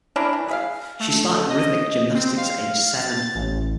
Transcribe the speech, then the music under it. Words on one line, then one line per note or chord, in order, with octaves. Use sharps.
She started rhythmic gymnastics at age seven.
C#4 D4 E4 A#4
E3
G#4 E5 F5
A3
D#5
C4
F5
A6
A1